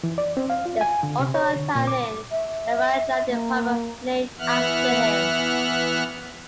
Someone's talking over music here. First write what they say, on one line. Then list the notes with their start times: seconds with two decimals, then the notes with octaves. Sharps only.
There is also a town in Lavalleja Department named after him.
0.04 E3
0.18 D5
0.37 C4
0.50 F5
0.65 F4
0.81 G#5
1.03 D3
1.19 C3
1.34 C#5
1.56 D3
1.75 A#2
1.87 D6
2.31 E5
3.29 A#3
4.39 E3 B3 E5 F#5 F6 F#6